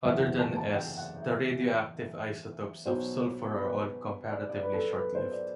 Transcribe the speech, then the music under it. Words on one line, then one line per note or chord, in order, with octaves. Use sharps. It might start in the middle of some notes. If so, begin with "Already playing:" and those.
Other than S, the radioactive isotopes of sulfur are all comparatively short-lived.
F#1 E2 C3 E3 E5
A5
A5
G5
F#5
E5
B1 B2 F#3 C5
B4
D5
D5
B4
A4
B4
C5
D5